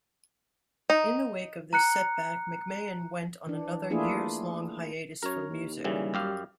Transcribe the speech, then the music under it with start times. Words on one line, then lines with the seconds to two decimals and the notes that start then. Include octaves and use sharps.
In the wake of this setback, McMahon went on another years-long hiatus from music.
0.90 D#4
1.73 A#5 F#6 C#7
3.46 E3 D4
3.90 A3 A#3 D4 E4 F4 G#4
5.23 F#2 A#4 C#5
5.50 D#2
5.84 F#2 C#3 E3 G3
6.14 F#2 G4 F5